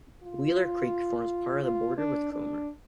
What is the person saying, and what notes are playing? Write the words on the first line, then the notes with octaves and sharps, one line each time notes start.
Wheeler Creek forms part of the border with Cromer.
F4
F4
D4
D4